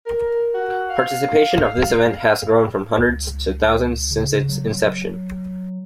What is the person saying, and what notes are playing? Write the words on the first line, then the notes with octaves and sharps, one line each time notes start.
Participation of this event has grown from hundreds to thousands since its inception.
A#4
F#4
F5
C#2
C#3
F#3